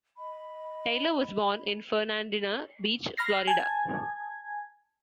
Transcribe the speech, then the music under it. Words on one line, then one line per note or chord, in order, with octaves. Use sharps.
Taylor was born in Fernandina Beach, Florida.
D#5 B5
B5 F6 A#6 C7
G#5 A5 G#6